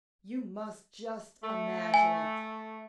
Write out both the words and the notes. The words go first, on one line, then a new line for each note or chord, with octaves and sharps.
You must just imagine it.
A3
G#5